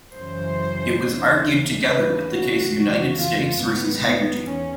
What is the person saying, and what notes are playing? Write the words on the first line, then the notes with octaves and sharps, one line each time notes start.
It was argued together with the case "United States versus Haggerty".
F#2 C#3 E3 C5
D#2 C#3 E3
D#2 C#3 E3 B4
F#4
F2 C#3 E3 F#4
F4
G#2 D#3 B3
B3
E2 C#4